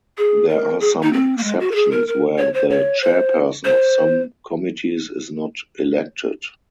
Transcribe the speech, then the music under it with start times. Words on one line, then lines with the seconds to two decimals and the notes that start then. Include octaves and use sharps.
There are some exceptions where the chairperson of some committees is not elected.
0.18 G#4
0.49 A#4
0.81 G#4
1.03 D#4
1.13 C4
1.37 A#3
1.44 G#3
1.60 F#4
1.71 A#4
1.75 G#4
1.92 A#4
2.08 A#4
2.38 C#5
2.54 C5
2.70 C#5
3.02 C5
3.65 C5